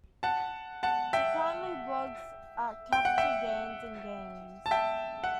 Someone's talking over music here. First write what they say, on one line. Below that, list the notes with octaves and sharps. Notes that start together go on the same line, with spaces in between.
He currently blogs at Capital Gains and Games.
F#5 A5
F#5 A5
E5 G5
G5
F#5
E5 G5
A5
E5 G5
F#5